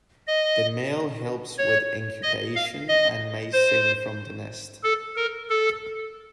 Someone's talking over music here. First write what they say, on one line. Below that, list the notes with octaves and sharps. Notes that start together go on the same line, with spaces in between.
The male helps with incubation and may sing from the nest.
D#5
C#5
D#5
F5
D#5
C5
A4
A#4
A4